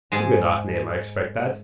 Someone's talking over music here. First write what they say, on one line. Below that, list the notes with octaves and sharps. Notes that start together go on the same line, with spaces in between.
Huguenot name I expect that.
G#2 G#3 G#4 A5